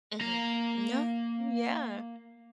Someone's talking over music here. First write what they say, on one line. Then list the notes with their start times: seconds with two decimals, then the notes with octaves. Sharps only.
Mhm. No. Yeah.
0.21 A#3 A#5